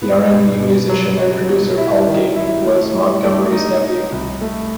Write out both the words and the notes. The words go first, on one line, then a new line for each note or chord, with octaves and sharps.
The R and B musician and producer Paul Gayten was Montgomery's nephew.
B3
B2
B2
F#3
F#4
B2
E4
D#3
E4
A3
E4
A3
D#4
D#4
C2
A3